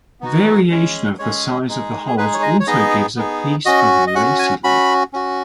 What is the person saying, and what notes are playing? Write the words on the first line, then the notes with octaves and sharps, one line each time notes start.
Variation of the size of the holes also gives a piece a lacy' look.
B3 D#4 F#4
G#3 C#4 G#4
G#3 C#4 G#4 C#5
G#3 D#4 G#4
G#4
G#3 D#4 G#4 B4
C#5
D#5
C#5
B3 D#4 G#4 D#5
B3 D#4 G#4
C#4 F#4 D#5
D#5
C#4 F#4 F#5
G#5
C#4 F#4 B5
C#4 F#4